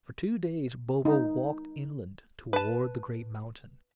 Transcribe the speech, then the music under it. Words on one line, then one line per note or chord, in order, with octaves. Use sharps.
For two days Bobo walked inland toward the great mountain.
D#4
B4 A5